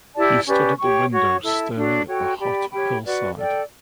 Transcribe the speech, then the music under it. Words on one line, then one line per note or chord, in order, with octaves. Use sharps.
He stood at the window staring at the hot hillside.
E4 G4 D5 A5
C#4 G4 B4 D5
G4 C#5 G5 C#6
F#4 C#5 F#5 C#6
E4 A4 E5 A5
D4 F#4 A4 C#5
F#4 A4 C#5 G5
G4 D5 G5 B5
G4 C#5 G5 B5
F#4 B4 D5 F#5
A4 D5 G5